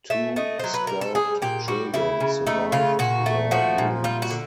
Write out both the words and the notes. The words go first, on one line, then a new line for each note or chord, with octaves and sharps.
Two scalped children survived their wounds.
A3 E5
A3 D#5
F#3 C5
B4
G3 A#4
A4
G3 G#4
A#2 G4
G3 F#4
C#3 E4
C#3
A3 D#4
C#3 F4
A#2 F#4
A3
F3 F#4
A#2
G3 F4
F#4
D3